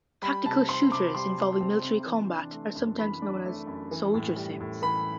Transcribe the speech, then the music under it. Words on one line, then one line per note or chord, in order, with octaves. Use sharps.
Tactical shooters involving military combat are sometimes known as "soldier sims".
G3 B5
C3 A5
C4 C6
C3 D6
G3 C6
C3
C4
C3
E3
D4
A3
F#2
E3 B5
D4
A3
F#2
E3
A2
G3
A2
E3 B5